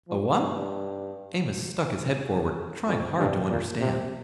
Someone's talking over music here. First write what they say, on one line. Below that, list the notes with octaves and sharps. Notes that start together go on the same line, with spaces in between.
"A what?" Amos stuck his head forward, trying hard to understand.
F3
G2
F2
G2
A#2
C3